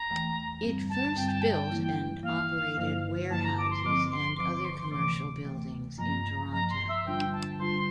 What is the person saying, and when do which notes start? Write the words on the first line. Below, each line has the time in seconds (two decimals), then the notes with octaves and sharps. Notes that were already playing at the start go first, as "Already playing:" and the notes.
It first built and operated warehouses and other commercial buildings in Toronto.
Already playing: A#5
0.10 E2 E3 A3
0.62 G2 D3 G3 C4
0.90 A5
1.16 G2 D3 G3 C4 G5
1.29 A5
1.42 G5
1.70 E3 A#3 E4
2.23 E3 A#3 E4 F5
2.77 G2 D3 F3 A#3 E4
3.31 G2 D3 F3 A#3 E4 A5
3.44 A#5
3.57 D6
3.71 C6
3.84 D3 F3 C4 D6
4.11 C6
4.38 D3 F3 C4 D6
4.53 D6
4.65 C6
4.91 D2 C3 E3 A3 D6
5.45 D2 C3 E3 A3
5.98 G2 F3 A#3 A#5
6.52 G2 F3 A#3 A#5
6.70 C6
6.88 E5
7.05 D3 G3 D4 F4 G5
7.33 A5
7.59 D3 G3 D4 F4 C6